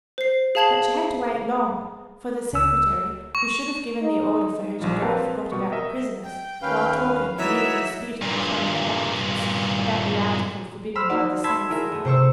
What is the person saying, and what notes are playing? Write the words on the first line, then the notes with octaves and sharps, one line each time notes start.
But she had to wait long, for the secretary, who should have given the order for her to go, forgot about the prisoners while talking and even disputing with one of the advocates about the article forbidden by the censor.
C5 C7
G#4 F5 A5 G#6 C7 F#7
C#2 E6
C#6
D#4
A#1 F3 G3
A#3 C4 A#4 B4 F5 A5
B2 G3 C#6
A#4 D#5 E5
G5
D#2 C#4 B4 F5
E3 F#3 D#4 E5
G2 A#2
C5 B5 C6 E6 F6
A#3 D#4 F#4 D5 F#5
A5 B5 C6 E6 G#6
E4 G#4 A#4 E5
A3 B3
C3 C5 C#6 E6